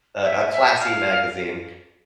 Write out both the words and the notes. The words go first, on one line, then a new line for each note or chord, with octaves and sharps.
a a classy magazine.
E5
E5
F5